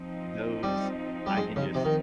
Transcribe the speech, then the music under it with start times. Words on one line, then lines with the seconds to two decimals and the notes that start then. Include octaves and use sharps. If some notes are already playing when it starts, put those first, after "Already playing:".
Those, I can just
Already playing: F3 C4 D#4
0.63 G3
1.26 G3
1.37 G#3
1.56 C#3
1.75 C3
1.85 D#3